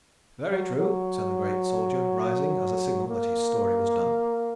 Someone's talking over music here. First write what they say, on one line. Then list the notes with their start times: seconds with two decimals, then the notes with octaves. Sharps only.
"Very true," said the great soldier rising, as a signal that his story was done.
0.48 F#3
0.77 F#3
3.08 A#3